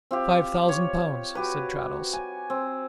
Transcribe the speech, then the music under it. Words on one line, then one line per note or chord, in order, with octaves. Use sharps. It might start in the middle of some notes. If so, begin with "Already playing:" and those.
'Five thousand pounds,' said Traddles.
C4 F4 G4
C#5
F#4 G4 B4
G#5
C4